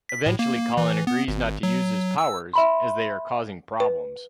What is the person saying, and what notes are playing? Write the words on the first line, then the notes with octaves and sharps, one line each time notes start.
Eventually Colin agrees not to use his powers, as they are causing problems.
B6
A2
A#3
E3
B3
G#1
F#3
E6
E5 B5 C6
B4